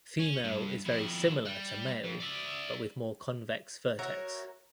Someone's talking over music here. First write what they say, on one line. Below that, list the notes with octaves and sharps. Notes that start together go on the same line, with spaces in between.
Female is very similar to male but with more convex vertex.
C#4
G2
F2 E4
G3
F2
D5 E5
F#4 A#4 C#5 E5